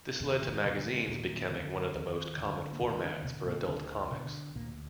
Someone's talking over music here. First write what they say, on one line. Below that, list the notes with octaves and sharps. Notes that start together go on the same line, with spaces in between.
This led to magazines becoming one of the most common formats for adult comics.
D#2 B2 B3
A#2 A#3
B2 D3 B3
A#3
G#3
A#2 A#3
D#2
D3
D#2
D3
A#3
D#2 B2 B3
D3 D4
B2 D3 B3
A#2 A#3
D2 D3 D4
B2 D3 B3
D2 A#2 A#3